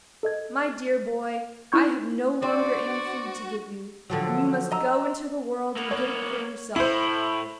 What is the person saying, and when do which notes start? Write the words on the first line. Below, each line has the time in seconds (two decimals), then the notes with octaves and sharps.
'My dear boy, I have no longer any food to give you, and you must go into the world and get it for yourself.
0.23 A4 D#5 G#6
1.72 D#4 E4 C6 C#6 G6 G#6
2.42 D4 F#4 C5 D5
4.10 D3 F3 F#3
4.72 D#5 A#5 E6
5.76 A#3 B3
5.91 C#5
6.76 A2 E4 C5